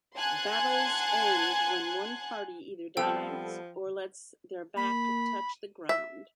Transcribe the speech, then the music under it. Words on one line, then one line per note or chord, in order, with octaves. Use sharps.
Battles end when one party either dies or lets their back touch the ground.
F#5 G#5 A5 C6 F#6 G#6
F3 G3 B3 C4 A4 G5 E6
A#3 B5
E5